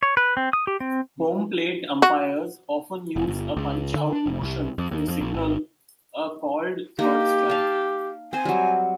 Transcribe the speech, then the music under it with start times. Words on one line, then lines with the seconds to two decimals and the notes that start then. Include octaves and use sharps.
Home plate umpires often use a "punch-out" motion to signal a called third strike.
0.03 C#5
0.17 B4
0.37 C4
0.53 D#6
0.67 G4
0.80 C4
2.02 F#4
3.16 F1
3.28 G1
3.57 C#2
3.95 D3
4.13 D4
4.26 F1
4.41 C2
4.78 F2
4.91 D#2
5.08 F2
5.21 A#1
5.34 G#1
6.99 A#3 D#4 G4
7.49 F5 A5
8.33 C4 C5 G#5
8.45 F#3 G3